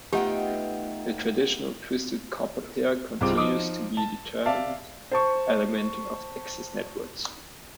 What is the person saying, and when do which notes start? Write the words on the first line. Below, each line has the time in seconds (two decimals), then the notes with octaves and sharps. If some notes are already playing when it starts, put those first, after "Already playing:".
The traditional twisted copper pair continues to be a determinant element of access networks.
0.13 A3 B3 D#4 F4 G4 F#5 G5
3.21 C2 G3 G#3 C4 F4 D6
3.35 F3 D#4 D6 D#6
3.97 A5
4.46 D5 E5 F5 A5
5.12 C5 A5 C#6